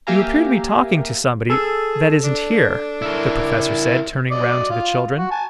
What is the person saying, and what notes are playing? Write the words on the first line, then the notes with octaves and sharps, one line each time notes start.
"You appear to be talking to somebody--that isn't here," the Professor said, turning round to the children.
A#3 G4 E5 F5 G#5 A#5
G#4 A4 E6
D4
E4 A#4
F#3 D5 D#5
F4
F#4
G#5 A5